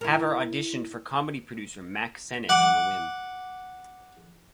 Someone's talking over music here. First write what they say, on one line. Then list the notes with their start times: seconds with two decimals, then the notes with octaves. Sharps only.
Haver auditioned for comedy producer Mack Sennett on a whim.
0.01 E4 A#4
2.49 F#5 D6